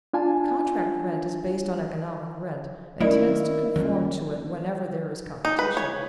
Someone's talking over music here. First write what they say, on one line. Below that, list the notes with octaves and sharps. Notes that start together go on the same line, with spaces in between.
Contract rent is based on economic rent and tends to conform to it whenever there is competition.
D4 F4 G#5 A5
D#3 A3 C4 C#4 E4 A#4 D5 D#5
F#2 A#2 D#3 G3 C#4
D#4
B4
C#5